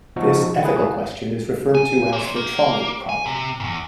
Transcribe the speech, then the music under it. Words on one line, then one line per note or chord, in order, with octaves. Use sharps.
This ethical question is referred to as the trolley problem.
B2 F3 D#4 F#4
E4 G#4 B4 G#5
G#5
A#3 C5
A#3
G#5
C3
E2 G#2